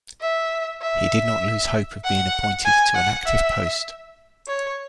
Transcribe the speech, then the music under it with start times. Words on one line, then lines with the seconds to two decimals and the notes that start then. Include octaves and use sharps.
He did not lose hope of being appointed to an active post.
0.21 E5
0.82 E5
2.04 F#5
2.65 G#5
2.95 F#5
3.25 E5
4.48 C#5